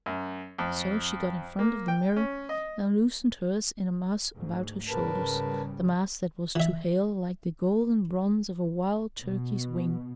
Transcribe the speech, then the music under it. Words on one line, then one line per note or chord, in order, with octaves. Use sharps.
So she got in front of the mirror and loosened hers in a mass about her shoulders--the mass that was to Hale like the golden bronze of a wild turkey's wing.
F#2
F2
A#3
G5
C#4
D#5
D2 G#2
G#2 C#3 G3 A#4 B4 A5
E3 E5
B2